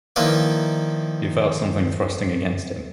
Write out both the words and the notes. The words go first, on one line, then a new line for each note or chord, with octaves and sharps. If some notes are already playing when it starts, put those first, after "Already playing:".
He felt something thrusting against him.
D#3 F3 A#3 E4 B4 D5